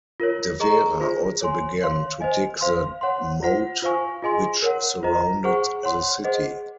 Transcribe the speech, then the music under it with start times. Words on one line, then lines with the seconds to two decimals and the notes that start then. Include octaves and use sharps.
De Vera also began to dig the moat which surrounded the city.
0.20 F4 A#4 C#5
0.60 G#4 D#5 A#5 C#6
1.00 F4 G#4 C5
1.41 C#5 G#5 C6
1.81 C#5 F5 C6
2.21 C5 D#5 G#5
2.61 C5 F5 C6
3.01 C#5 F#5 C6
3.43 F4 C5 F#5
3.82 F4 C5 F5 G#5 C#6
4.22 F4 G#4 D#5 G#5 C6
4.62 A#4 C#5 F#5
5.03 F4 C5 D#5 A#5
5.44 G#4 C5 F#5 C#6
5.83 C#5 F#5 C6
6.24 G#4 C5 D#5 F#5